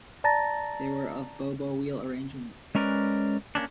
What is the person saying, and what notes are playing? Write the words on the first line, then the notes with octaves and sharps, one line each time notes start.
They were of Bo-Bo wheel arrangement.
D5 A5 A#5 A6 A#6
G#3 C#4 A#4 B4 D5
A#3 B3 C#4 D4